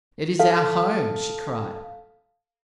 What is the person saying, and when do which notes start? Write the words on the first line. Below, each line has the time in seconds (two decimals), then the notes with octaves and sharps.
"It is our home!" she cried.
0.40 A4 F5